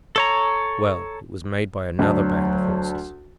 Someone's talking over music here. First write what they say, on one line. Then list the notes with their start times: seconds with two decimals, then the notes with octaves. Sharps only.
"Well, it was made by another band of horses."
0.16 A4 C#5 A#5
1.99 D2 F#3 D4 A5